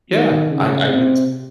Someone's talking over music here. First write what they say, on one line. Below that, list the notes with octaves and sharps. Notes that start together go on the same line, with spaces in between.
Yeah, I I can
D#3
C#3
C3